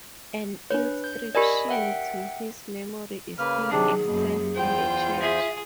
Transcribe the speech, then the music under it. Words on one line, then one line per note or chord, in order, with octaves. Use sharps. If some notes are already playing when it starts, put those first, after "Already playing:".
An inscription to his memory is still extant in the church.
D4 B4 C#5
G6
G4 A#4 D5 D#5 G#5 B5
E5 F#5 G5
C#3 A#3 B4 F6
C3 D#3 F#3 D4 G#4
F#2 B2 A#3
E2 F4 C5 G5
G#4 E5